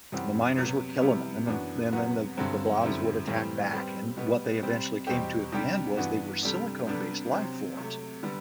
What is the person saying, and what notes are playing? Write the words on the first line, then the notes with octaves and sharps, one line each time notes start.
And the miners were killing them and then then then the the blobs would attack back and what they eventually came to at the end was they were silicone-based life forms
F#2 E3 G3 C4 F#4
C3 F#3 B3
C3 G3 B3 E4
F#2 E3 B3 D4 F#4
C3 F#3 B3 F#4
G2 D3 F#3 C4
F#2 D3 G3 C4 E4
A2 E3 G3 C4
G3 C4 G4 B4
B2 G3 B3
C3 G3 C4
E2 B2 G3 C4 G4
C3 G3 D4 G4
G2 E3 B3 D4 F#4
C3 G3 D4 A4
C3 G3 B3 D4 A4
C3 F#3 C4
C3 F#3 A3
D3 G3 B3